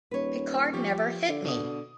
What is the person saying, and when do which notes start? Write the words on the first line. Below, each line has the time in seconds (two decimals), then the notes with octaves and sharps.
Picard never hit me!
0.11 D#1 B4 C#5
0.73 F3 G4 C#6
1.28 D3
1.45 B2 D#6